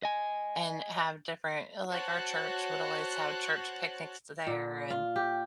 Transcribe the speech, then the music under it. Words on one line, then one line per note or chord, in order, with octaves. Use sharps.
and have different like, our church would always have church picnics t there. And
D#5 G#5
F#4 C5 C#5 A5 F#6
A#2
F4
G4